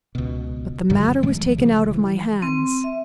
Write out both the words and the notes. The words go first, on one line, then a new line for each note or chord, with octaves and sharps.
But the matter was taken out of my hands.
C#2 B2
G2 D3 F#3 G3
A#2 E3 G#3 A3
A#1 F#3
C#3 F3
E3
C4
E5